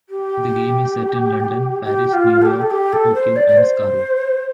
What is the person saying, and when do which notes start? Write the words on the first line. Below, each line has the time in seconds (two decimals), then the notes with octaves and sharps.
The game is set in London, Paris, New York, Tokyo and Skaro.
0.09 G4
1.84 G4
2.13 F4
2.42 A4
2.45 G4
2.61 A4
2.71 G4
2.93 A4
3.15 C5
3.36 D5
3.48 D5
3.57 C5